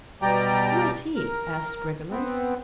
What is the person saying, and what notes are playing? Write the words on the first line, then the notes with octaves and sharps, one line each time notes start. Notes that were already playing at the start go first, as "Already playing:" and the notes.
"Who is he?" asked Briggerland.
B2 G3 G4 D5 G5 A#5
A#4
B3 C4